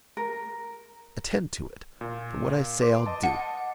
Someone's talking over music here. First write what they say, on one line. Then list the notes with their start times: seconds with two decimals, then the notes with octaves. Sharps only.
Attend to it; for what I say I'll do.
0.17 A#4
2.01 A#2
2.82 B4 C6 D6
3.06 D#5 A5
3.23 F#5